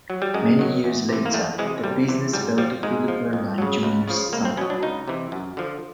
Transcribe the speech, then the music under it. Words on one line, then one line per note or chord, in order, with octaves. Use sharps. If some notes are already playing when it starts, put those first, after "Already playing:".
Many years later, the business fell to Philip Werlein, Junior's son.
F#3
G3
F#2 G#3
D#3 F#3
E2
C3 E3
A#3
E2 A3
C3 E3 G#3
C2 G3
C3 E3
G#2 G3
F3 G3
G#2 G#3
F3
F2
C#3 F#3
C#2
C#3 F3
C#2 A#3
C4
B2 F#3 C#4
D4
C#2 D#4
C3 E3
F#2
D3 F3